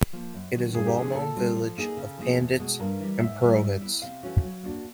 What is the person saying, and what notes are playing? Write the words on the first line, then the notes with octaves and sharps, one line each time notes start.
It is a well-known village of Pandits and Purohits.
F3 A#3
F#2
D#3 F#3 B3 D4
G2 G#4
G4
D3 F3 A#3 C#4 G#4
A#2 A4
G3 C4 F4
F3
A#3 D#4 G#4
C#3
F3 A#3 D#4 G#4
E2
B2 G#3
G2 A#4
E3 G3
G#2 E5
E3 G3
G3
B3 E4
C3 F5
E3 A3 C#4 F#4
F#3
A#3 D4 F#4